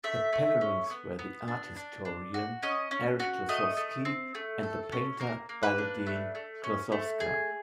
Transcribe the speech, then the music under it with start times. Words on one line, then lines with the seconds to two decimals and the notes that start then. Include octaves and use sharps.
Their parents were the art historian Erich Klossowski and the painter Baladine Klossowska.
0.04 A3 E5
0.33 A3
0.61 C#4
0.90 B3
1.19 B3
1.48 D4
1.76 D4
2.05 D4
2.34 F#4
2.63 C#4 D#5
2.91 C#4
3.20 F#4
3.49 A3 D#5
3.77 A3
4.05 C4
4.35 A3
4.63 A4
4.92 C#4
5.20 A#3 A#4
5.49 A#3
5.63 B4
5.78 D4
6.06 A3
6.35 A3
6.64 C#4
6.92 A3
7.20 G#4